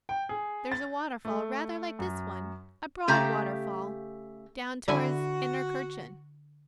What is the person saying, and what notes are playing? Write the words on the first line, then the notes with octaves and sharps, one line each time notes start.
There's a waterfall rather like this one--a broad waterfall down towards Innertkirchen.
G5
G#4
A6
A3
F#2
C#3 A3 G4 F5 A#5
D3 E4 F#4 G#5